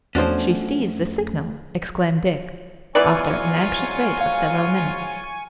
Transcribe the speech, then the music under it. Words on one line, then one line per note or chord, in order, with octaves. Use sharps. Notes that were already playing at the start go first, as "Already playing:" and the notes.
"She sees the signal!" exclaimed Dick, after an anxious wait of several minutes.
E2 F3 A3 C#4 D4 F#4 C5
G#2 E3 F#3 B3 F4 D5 G#5 C#6
F5